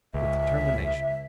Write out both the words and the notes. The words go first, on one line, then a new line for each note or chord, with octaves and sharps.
'With determination.
C#2 E5